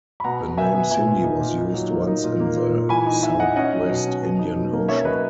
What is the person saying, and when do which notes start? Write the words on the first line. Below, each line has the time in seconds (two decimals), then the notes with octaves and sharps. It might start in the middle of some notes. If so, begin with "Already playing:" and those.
The name Cindy was used once in the Southwest Indian Ocean.
0.20 B5
0.24 B2 F#5 A#5
0.40 B2
0.57 B2 E5 G#5
0.74 B3
0.90 A#2 E5 G#5
1.07 A#2
1.24 D#4
1.40 A#2
1.58 D#4
1.74 F#3
1.90 A#3
2.07 D#4
2.24 A#2
2.40 A#3
2.56 A#2
2.73 A#2
2.89 E3 G#5 B5
3.06 D#4
3.23 D#4 E5 G#5
3.39 D#4 D#5 F#5
3.56 C#4 D#5 F#5
3.72 F#3
3.89 B2
4.06 C#4
4.22 B2
4.39 D#4
4.55 B2
4.73 A#3
4.88 C#4 C#5 E5
5.05 F#3 B4 D#5